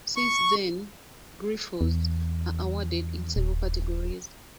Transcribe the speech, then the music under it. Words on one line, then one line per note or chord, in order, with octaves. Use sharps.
Since then, "griffels" are awarded in several categories.
C#6
E2
D#1